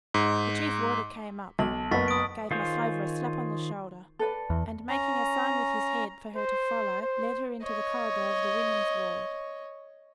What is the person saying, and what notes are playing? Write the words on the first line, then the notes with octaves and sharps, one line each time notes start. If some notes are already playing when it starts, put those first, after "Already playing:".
The chief warder came up, gave Maslova a slap on the shoulder, and making a sign with his head for her to follow led her into the corridor of the women's ward.
G#2
B1 A5 F#7
F#1 B3 C#6 A6 B6
D#6 D7
D#3 F4 G#4 C5 C#5
A4 B4 D5
E2
C#4 A#5
C5
C5
C#5 D#5